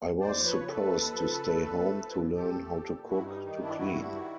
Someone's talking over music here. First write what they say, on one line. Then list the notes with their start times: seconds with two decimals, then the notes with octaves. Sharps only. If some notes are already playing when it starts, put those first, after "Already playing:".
I was supposed to stay home to learn how to cook, to clean.
0.21 D#2 C5 D5
0.39 F3
0.45 B4 C#5
0.57 C#3
0.68 A4 B4
0.74 A3
0.92 D#2
1.11 F3
1.28 C#3
1.46 A3
1.64 A#2
1.82 A3
1.99 F3
2.18 A#2
2.35 A#2 G4 A4
2.54 A3
2.71 F3
2.89 A#2
3.07 G2 E4 F#4
3.25 G3 D#4
3.43 D#3 D#4
3.60 G2 D4 E4
3.78 G2 E4 F#4
3.96 G3
4.14 D#3